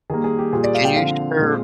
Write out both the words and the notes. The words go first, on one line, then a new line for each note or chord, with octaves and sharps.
can you share
D#3 G3 A#3 G#4
G#4
G4
A#2 G3 A#3 G#4
D5
F5
G5
D3 F3 C4 F5
A#2 G#3 C4